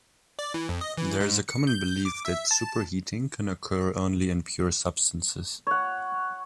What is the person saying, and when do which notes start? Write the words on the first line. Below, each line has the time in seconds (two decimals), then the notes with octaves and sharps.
There is a common belief that superheating can occur only in pure substances.
0.39 D5
0.54 E3
0.69 F2
0.81 D#5
0.97 E3
1.20 G#2
1.48 C#7
1.67 G6
2.05 D6
2.25 E5
2.51 A5
5.67 C#5 F#5